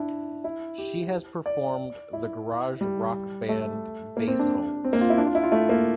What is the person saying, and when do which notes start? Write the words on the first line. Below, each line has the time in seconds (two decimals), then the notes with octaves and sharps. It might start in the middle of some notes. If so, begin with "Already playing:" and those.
She has performed the garage rock band Bassholes.
Already playing: D4 E4
0.44 E4
0.78 G4
1.46 D5
2.13 E4
2.81 G3
3.49 A3
4.17 A#3
4.28 C4
4.39 D4
4.85 C4
4.93 A#3
5.01 F4
5.10 E4
5.18 D4
5.27 F4
5.35 E4
5.44 F4
5.52 A3
5.69 A#3